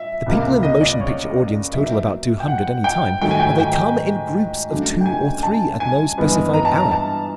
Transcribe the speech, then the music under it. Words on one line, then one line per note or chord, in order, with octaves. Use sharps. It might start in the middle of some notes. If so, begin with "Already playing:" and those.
The people in the motion picture audience total about two hundred, any time, but they come in groups of two or three at no specified hour.
Already playing: E5
C#2 C3 F3 A#3
D#5
D5
C#5
D5
B2 F#3 A#3 D#4 E5
G5
F#5
G5
G#2 D#3 F#3 A3 G5
G#5
G5
G5
C#3 F#3 A3 D4
G5
G#5
A5
G#5
G2 E3 G#3 B3
A#5
A5
A#5
A5